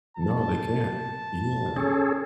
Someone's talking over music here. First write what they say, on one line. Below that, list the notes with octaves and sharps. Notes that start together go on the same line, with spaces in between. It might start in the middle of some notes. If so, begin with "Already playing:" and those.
No, they can't. Yeah.
A5
C#4 G#4 A4